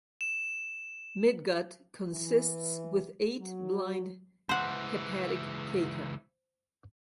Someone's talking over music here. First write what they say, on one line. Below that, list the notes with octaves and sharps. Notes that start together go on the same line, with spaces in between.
Midgut consists with eight blind hepatic caeca.
E7
E3
F#3
C#2 E3 C5 F#5